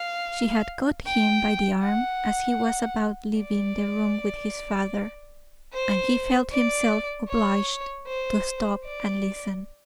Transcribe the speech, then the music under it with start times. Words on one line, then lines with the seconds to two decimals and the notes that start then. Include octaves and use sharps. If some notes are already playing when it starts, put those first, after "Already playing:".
She had caught him by the arm as he was about leaving the room with his father, and he felt himself obliged to stop and listen.
Already playing: F5
1.06 G5
1.84 F#5
3.40 D5
5.73 C5
6.52 D5
7.29 C#5
8.07 C5
8.85 D5